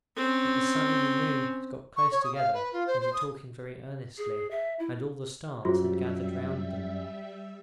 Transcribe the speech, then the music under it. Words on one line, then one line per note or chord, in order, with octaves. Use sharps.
But the sun and the moon had got close together and were talking very earnestly, and all the stars had gathered round them.
C4 C#4
C#6
C#5
D#6
F5
B4
F4
C5
C5
D#6
G#4
E5
E4
F#2 G3 F4 F#4 G#4 C5 E5